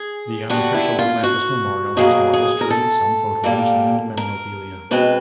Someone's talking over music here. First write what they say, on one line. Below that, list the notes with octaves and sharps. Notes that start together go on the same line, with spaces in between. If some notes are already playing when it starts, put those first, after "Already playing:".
The Unofficial Atlantis Memorial has more history, some photos, and memorabilia.
Already playing: G#4
D3 G3 B3 F#4
E4
F4
F#4
B2 F#3 A#3 G#4
G#4
A#4
A4
A#2 G3 A#3
A#4
B2 G#3 C4 B4